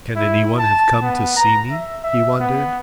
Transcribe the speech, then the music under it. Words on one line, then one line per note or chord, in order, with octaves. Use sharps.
"Can anyone have come to see me?" he wondered.
E4
A5
B3
A#5
E5
E5
B3